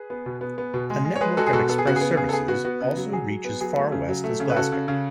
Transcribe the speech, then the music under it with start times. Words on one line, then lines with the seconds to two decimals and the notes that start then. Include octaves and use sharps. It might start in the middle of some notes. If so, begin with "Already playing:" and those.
A network of express services also reach as far west as Glasgow.
Already playing: G#4 B4
0.10 B3
0.26 B2
0.41 B3
0.58 B3
0.74 B2
0.90 G#3
1.05 G#3
1.16 C#5
1.21 G#3 G#4 B4
1.37 G#3 F#4 A4
1.47 G#4
1.53 B2 F#4 A4
1.69 B3 A4
1.78 G#4
1.85 C#3 F#4
1.96 G#4
2.01 B3
2.17 C#3 G#4
2.29 A4
2.32 B3 G#4
2.48 B3 F#4
2.65 B3 F#4
2.81 C#3
2.97 F#3
3.13 F#3 G#4
3.28 F#3
3.45 B3
3.61 F#3 G#4
3.76 A3
3.92 C#3
4.08 F#3
4.24 A3
4.40 C#3
4.50 B4
4.56 C#3 F#4 A4
4.72 C#3
4.88 C#3